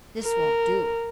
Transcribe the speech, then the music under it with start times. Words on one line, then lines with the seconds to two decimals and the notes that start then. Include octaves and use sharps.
This won't do.
0.24 A#4